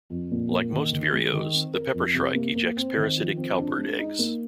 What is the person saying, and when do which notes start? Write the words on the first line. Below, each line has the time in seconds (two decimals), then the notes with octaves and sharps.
Like most vireos, the peppershrike ejects parasitic cowbird eggs.
0.10 F2
0.31 A#2
0.51 A#3
0.72 D#3
0.93 D#3
1.13 G#3
1.33 D#3
1.53 C4
1.74 A#4
1.94 F2
2.14 C3
2.35 A#3
2.55 A#3
2.77 C4
2.96 D#3
3.18 F3
3.37 C4
3.58 D4
3.78 G#3
3.99 D#4
4.19 A#3